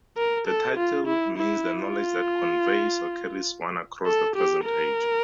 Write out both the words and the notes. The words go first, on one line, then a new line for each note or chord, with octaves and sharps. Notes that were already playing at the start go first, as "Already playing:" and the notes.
The title means the knowledge that conveys or carries one across the present age.
A#4
A4
F4
E4
E4
F4
A4
G4
A#4